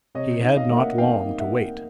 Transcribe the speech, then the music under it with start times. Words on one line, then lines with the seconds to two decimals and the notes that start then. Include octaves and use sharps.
He had not long to wait.
0.15 C3 C#5 D#5
0.43 D#4
0.56 D#5 F5
0.70 A#3
0.77 E5 F#5
0.98 D#4 F5 G5
1.25 D#4
1.39 E5 F#5
1.53 A#3